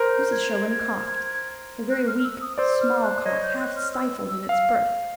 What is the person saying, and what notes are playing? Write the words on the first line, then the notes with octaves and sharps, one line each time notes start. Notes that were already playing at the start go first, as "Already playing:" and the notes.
Mrs. Sherwin coughed--a very weak, small cough, half-stifled in its birth.
Already playing: A#4 C5
G6
G#6
G#6
F#6
F6
E6
D#6
C5 D5 E6
F6
F#6
C#5 D#5 G#6
G6
F#6
F6
E6
E6
F5